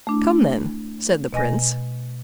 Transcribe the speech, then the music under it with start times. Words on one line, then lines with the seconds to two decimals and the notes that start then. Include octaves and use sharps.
"Come, then," said the prince.
0.07 A3 D4 E4
1.33 B2 D#5 G#5 A#6